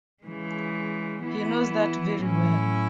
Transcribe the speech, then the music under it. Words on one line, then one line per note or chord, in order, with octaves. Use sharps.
He knows that very well.
C#3 E3 G#3
E3 B3 E4
A2 F#3 C#4 E4